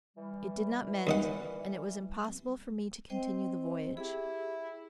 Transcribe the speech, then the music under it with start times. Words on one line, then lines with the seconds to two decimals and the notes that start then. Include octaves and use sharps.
It did not mend, and it was impossible for me to continue the voyage.
0.17 E3 G3
1.07 D#2 D#4 F#5
3.10 C4 C5 D#5 G5
3.97 E4 G4 G#4